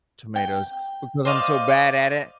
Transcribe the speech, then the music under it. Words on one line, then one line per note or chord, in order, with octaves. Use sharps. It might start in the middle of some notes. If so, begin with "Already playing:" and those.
tomatoes because I'm so bad at it.
G5
C5 D5 D#5 F5